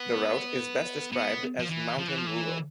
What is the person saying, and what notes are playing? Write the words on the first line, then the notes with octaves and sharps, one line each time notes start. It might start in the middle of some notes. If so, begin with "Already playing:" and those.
The route is best described as mountain-rural.
Already playing: B3
B3
F3
E3
F3
E3
F3
E3